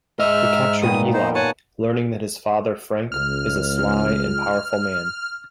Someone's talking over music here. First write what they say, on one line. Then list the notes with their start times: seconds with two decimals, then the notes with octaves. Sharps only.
They capture Eli, learning that his father Frank is a sly and powerful man.
0.19 G#2 D#5 E5 F6
0.82 A#2 D#3 B3 D#6
1.13 D#4 C5
1.35 C#5 F#5 G#5 A5
3.12 C#2 F6